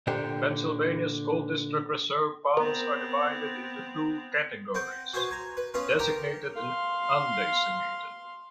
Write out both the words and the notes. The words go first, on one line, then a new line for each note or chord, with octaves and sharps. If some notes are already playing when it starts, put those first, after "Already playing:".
Pennsylvania school district reserve funds are divided into two categories - designated and undesignated.
A#2 D3 G4 C5 G5
B3 C4 A#4
C4 F#5 G5
F#4 G#4 B4 C5
G#5 A#5
B4
B3 C#4 F4 B4
G4 A#4 A5 A#5 D6
F5 C6